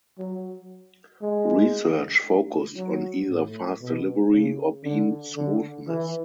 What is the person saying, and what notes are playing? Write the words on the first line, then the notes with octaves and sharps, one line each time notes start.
Research focused on either fast delivery or beam smoothness.
F#3
G#3
F#3
A2
B2
C#3
D3
D3
E3